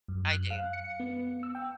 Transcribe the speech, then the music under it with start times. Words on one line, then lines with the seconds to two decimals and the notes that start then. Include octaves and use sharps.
I do.
0.08 F#2
0.30 F#6
0.50 F5
0.73 C#7
1.00 B3
1.43 E6
1.55 G5